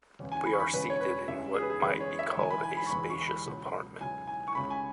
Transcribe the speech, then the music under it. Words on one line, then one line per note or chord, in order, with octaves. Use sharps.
We are seated in what might be called a spacious apartment.
E1 E2 C#3
G#5
B5
C#6
B5
E1 E2 C#3 B4
C#5
B4
E2 C#3 E3 G#3 E5
G#4
B4
G#4
E2 C#3 E3 G#3 B4
C#5
E5
E1 E2 E3 G#3 G#5
B5
G#5
B5
C#6
E1 E2 E3 G#3 B5
C#6
B5
C#2 B2 F#3
C#2 B2 F#3 G#5
G#5
C#6
C#2 C#3 G#3 B5
G#5